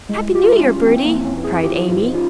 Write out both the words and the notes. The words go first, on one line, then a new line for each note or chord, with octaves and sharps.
"Happy New Year, Bertie," cried Amy.
G#3 E4
G#3 G4
F4
E4
F3 C#4
C#4
E3 C4
C4
A#3
F2
C#4
E3
G#4
F3 G4
G#2 F4
C#4 F4